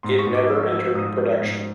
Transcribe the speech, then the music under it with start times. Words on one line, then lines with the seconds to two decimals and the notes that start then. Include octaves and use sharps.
It never entered production.
0.03 G#2 C6
0.19 C#6
0.27 G#2
0.34 D6
0.49 F3 E6
0.72 F3 E6
0.95 G#2 D#6
1.18 F3
1.41 G#2